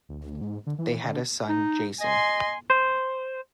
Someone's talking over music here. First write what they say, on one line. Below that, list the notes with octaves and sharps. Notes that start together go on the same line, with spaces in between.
They had a son, Jason.
D2
G#2
D3
E3
D3
D#4
D#5 G#5 C6
C5